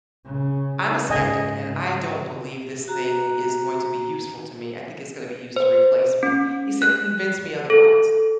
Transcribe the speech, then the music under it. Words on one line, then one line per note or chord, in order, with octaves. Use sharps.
"I'm a skeptic, and I don't believe this thing is going to be useful to me, I think it's gonna be used to replace me." He said, "Convince me otherwise,"
C#3
G#2 C#3 D#5 G#5
F#4 A#5
C5
C#4
F#6
A4